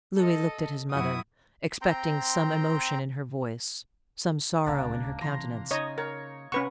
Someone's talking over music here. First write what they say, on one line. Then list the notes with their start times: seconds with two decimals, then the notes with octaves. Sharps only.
Louis looked at his mother, expecting some emotion in her voice, some sorrow in her countenance.
0.18 A4 D#5
0.90 F#2 E4 F#4 D#6
1.82 C4 G5 A#5 C6
4.66 D1 C#2 C#3 A#3 D4
5.21 C3 E3 A#5 C6
5.71 C#3 D#4 C#5 D#5
5.98 A#4 C#5
6.52 C3 C#4 B4 F#5 C#6